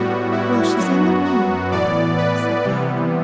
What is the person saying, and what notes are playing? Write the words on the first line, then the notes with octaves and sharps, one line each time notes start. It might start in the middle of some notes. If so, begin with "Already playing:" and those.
"Well, she's in the room," said Diana.
Already playing: A2 G3 B3 F#4
E4
F#2 F#3 B3 F#4
F#4
A2 E3 B3 D5
B4
C3 E3 G3 B3